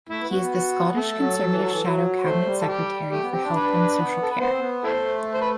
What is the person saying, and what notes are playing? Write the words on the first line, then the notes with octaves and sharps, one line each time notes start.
He is the Scottish Conservative Shadow Cabinet Secretary for Health and Social Care.
A3 E4
B3
B3 F#4
B3
F#4
A3 A4
F#3
F#3
E3
F#3
E3
F#3
A3 C5
G3
A4
G4
A3 G4
B3
C4 G4
D4
B4
B3
A4
B4
B3 C5
C4
B3
A3 E4 A4 C5
C5
B4